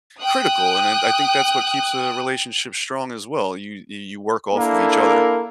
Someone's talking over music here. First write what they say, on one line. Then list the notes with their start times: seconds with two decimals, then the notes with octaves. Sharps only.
critical, and and I think that's what keeps a relationship strong as well, you you you work off of each other.
0.22 G5 D#6 F#6
4.54 A#3 D4 E4 A4 A#4